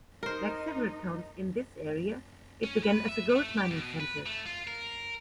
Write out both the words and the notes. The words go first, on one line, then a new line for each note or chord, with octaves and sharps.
Like several towns in this area, it began as a gold mining centre.
D#4 A#4 C5
C#4
B4
E5
A3
G4
B2
B4
A3
F4
A#4